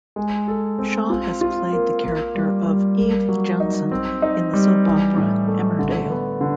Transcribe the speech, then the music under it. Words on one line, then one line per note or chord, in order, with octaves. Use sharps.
Shaw has played the character of Eve Jenson in the soap opera "Emmerdale".
G#3
A4
C4
F4
F4
A#3
A#3
G3
G3
A#3
F#3
D#4
C4
D#4
G3
E3
A2
A3
D3
B3
D3